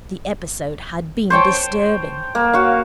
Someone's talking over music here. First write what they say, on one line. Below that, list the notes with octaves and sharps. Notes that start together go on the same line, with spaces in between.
The episode had been disturbing.
C5 C#5 G5 A5
A#3
F#4 C#5 F5